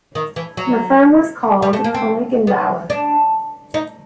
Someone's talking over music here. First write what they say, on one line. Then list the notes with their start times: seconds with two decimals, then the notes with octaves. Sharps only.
The firm was called Koenig and Bauer.
0.15 D#3
0.36 E3
0.57 F#3
1.62 G3
1.73 A3
1.84 A#3
1.94 C4
2.47 B3
2.90 D4
3.74 D#4